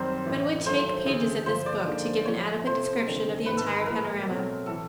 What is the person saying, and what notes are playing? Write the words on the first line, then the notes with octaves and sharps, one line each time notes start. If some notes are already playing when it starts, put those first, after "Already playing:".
But it would take pages of this book to give an adequate description of the entire panorama.
Already playing: F#2 D#3 G3 C4 C5
A1 A2 E3
G2 D#3 F#3 A3 C5
D2 C#3 E3 G#3
G2 D3 F3 C5
D5
D3 F3 A#3 D#4 G#4
A2 F3 A3 C#5
C3 F3 A3 C4 F4 C5
F1 D#2 D3 G3 C4
G#1 G#2 D#3 B4
A4
A#4
B4
A2 F3 A#3 A#4
B2 F#3 A3 C4
A2 E3 A4